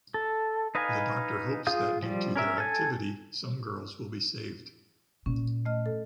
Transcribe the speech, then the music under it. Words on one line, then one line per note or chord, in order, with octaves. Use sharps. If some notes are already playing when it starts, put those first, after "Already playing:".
The doctor hopes that due to their activity some girls will be saved.
A4
D#4 B4 D#5 F5 G#5
F4 G#4 F5 D#6 G6
F3 G3
C#4 A#4 E5
A4 G#5
A#2 C#4
A3 D#5 F6
A4